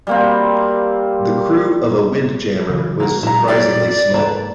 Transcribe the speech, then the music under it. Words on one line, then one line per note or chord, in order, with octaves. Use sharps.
The crew of a windjammer was surprisingly small.
G3 A#3 C4
C#3 E3 F#3
A#3 F#4
A#2 F#3 G#3 E4 A#5
G4 C#5 D5
G#2 G#3 A#3 A4 B4